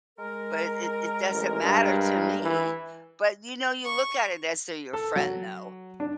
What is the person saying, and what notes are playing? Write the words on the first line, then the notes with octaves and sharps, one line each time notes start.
but it it it doesn't matter to me." But, you know, you look at it as to your friend though,
G#3 A#4
A1
G2
E3
C#6
A4
F#3
D4